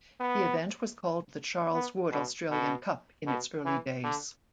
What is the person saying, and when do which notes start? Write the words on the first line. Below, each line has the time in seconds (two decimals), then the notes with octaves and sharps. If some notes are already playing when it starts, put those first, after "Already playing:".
The event was called the Charles Wood Australian Cup in its early days.
0.20 B3
1.74 B3
2.12 B2
2.51 B2
3.26 B2
3.65 E3
4.04 D3